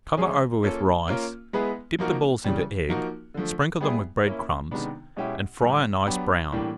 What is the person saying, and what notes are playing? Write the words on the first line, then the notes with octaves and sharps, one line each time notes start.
Cover over with rice, dip the balls into egg, sprinkle them with bread crumbs, and fry a nice brown.
F3 G#3 C#4 F4 G#4
A#3 C#4 F4 A4
A#3 C#4 F4 A#4
G#3 B3 E4 G#4 B4
F3 A#3 D#4 F#4 A#4
C#3 E3 G3
F3 A#3 D#4 F#4 A#4
D3 F3 A3
G3 B3 E4 G#4
A#3 C#4 E4
C3 D#3 G#3 B3 D4
B2 G#3 C#4 E4 G4
A2 E3 G3
F#3 B3 D4 G4
A2 E3 G3 A#3 D4